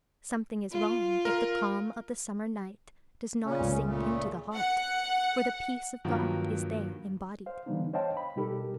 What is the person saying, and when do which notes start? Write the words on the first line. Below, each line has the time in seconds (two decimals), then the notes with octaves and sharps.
Something is wrong if the calm of the summer night does not sink into the heart, for the peace of God is there embodied.
0.72 F4
1.25 A#4
3.45 A#2 C#3 C#4
3.60 C#2
3.86 A#2 C#3 A3
4.55 F#5
6.05 G2 D#3 F3 F#3 A#3 F#4
7.46 C5 F5
7.66 D3 E3 G3 B3 D4 D#4
7.93 C5 C#5 D#5 F5 G5 A5
8.17 B5
8.36 B2 G3 D#4 G4 A4 A#4